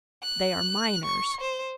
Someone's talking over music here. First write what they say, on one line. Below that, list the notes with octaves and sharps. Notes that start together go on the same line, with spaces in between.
They are miners.
F#6
C#6
C5